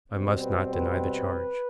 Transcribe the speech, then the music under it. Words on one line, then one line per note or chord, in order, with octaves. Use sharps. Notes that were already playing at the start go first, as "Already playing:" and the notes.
"I must not deny the charge."
B2 G3 C4
B4
B4